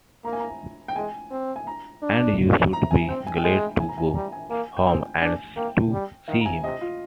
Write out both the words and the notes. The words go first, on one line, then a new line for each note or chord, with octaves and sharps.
And you should be glad to go home, and to see him.
A#3 A#5
G#5
A#5
G5
G#3 G#5
C4
G#5
A#5
D4
A#5
G#5
C4 G5
G#5
G5
G#3 G#5
G#5
A#5
G#5
G3 A#5
G#5
A#3 G#5
G5
C4 G#5
D4 G#5
A#3 G5
G3
D#3 F5
A#5
G#5
C3 D#5
F4